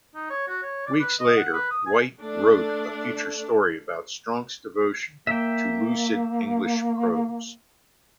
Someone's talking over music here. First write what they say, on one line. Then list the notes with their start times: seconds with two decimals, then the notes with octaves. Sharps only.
Weeks later, White wrote a feature story about Strunk's devotion to lucid English prose.
0.15 D#4
0.30 C#5
0.48 F#4
0.63 C#5
0.87 D5
1.00 B4
1.20 D#5
1.37 F#5
1.53 B4
1.70 D#6
1.86 G#5
2.20 A3 D4
5.27 A#3 E5 G5